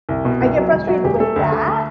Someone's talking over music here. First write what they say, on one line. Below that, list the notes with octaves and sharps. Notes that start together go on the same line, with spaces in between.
I get frustrated with that,
C2
B2
C2
F#3
E1
F#3 F#4
E1 G4
A3 A4
D2
D2
A3